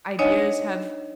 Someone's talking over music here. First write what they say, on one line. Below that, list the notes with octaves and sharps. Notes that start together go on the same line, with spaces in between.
ideas have
D4 D#4 C#5 D#5 F#5 G#5